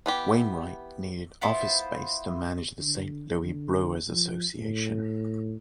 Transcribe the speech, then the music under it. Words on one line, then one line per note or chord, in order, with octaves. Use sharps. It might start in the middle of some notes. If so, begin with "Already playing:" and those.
Wainwright needed office space to manage the Saint Louis Brewers Association.
E3 B3 G4
B3 E4 F4 C5
D3
D3
F3
A2